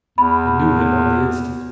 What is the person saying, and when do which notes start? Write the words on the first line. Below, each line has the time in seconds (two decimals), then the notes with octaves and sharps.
I knew him on the instant.
0.18 E2 B5